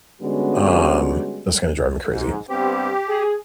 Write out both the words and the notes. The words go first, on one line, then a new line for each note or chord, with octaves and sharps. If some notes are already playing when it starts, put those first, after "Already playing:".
Um, that's gonna drive me crazy.
D3 G3 G#3 B3 C#4 F#4
G#2
G2 B3 C4 G4
G#4